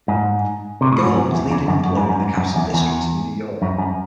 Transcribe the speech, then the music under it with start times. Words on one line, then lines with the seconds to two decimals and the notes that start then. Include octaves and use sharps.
Golub is leading employer in the Capital District of New York.
0.08 G#2
0.81 C3
0.92 A2
1.03 G#2
1.15 F#2
1.32 E2
1.50 E2
1.68 F#2
1.85 F#2
1.97 G#2
2.09 F#2
2.20 G#2
2.37 F#2
2.56 E2
2.74 E2
3.62 F#2
3.78 F#2